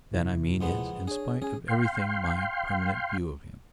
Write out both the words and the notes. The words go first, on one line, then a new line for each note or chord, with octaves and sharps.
That, I mean, is, in spite of everything, my permanent view of him.
D#2 C3 E4
F2 G#3 B3
D4 G#4 C#5
C#4 G#4 G#5
F5 G5 C6